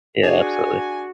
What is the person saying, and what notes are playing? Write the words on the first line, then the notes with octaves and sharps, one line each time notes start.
Yeah, absolutely.
D4 F#4 G#4 G#5